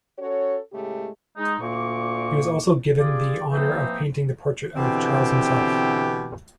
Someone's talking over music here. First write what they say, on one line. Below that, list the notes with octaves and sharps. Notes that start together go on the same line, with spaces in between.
He was also given the honour of painting the portrait of Charles himself.
C#4 F#4 A4 C#5
A2 C#3 G#3 A3 G4
G#3 D#4
D2 A#2 A#3 C#6 D6
F4 G4 G#4 D5
E3 F3 A#3 C4 D#4
B2 D3 E3 C4 G4